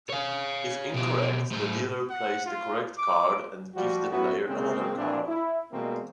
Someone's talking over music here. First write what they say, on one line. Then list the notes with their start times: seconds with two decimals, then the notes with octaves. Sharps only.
If incorrect the dealer plays the correct card and gives the player another card.
0.09 C#5 F5
0.94 B2 G4
1.51 A2 C5
2.10 F#5
2.46 F4
2.98 D6
3.75 F3 G3 F#4
4.10 F#2 A2 B3 E4 F#4
4.48 C#3 G#3 A#3 C4
4.95 A1 A#2 E3 F3 C4 D4
5.27 E4
5.72 B2 E3 G3 G#3 A#3 C4